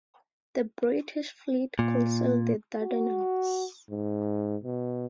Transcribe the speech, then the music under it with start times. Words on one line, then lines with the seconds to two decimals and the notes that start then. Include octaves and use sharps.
The British Fleet could sail the Dardanelles.
1.79 A#2
2.81 F#4
3.90 G#2
4.64 B2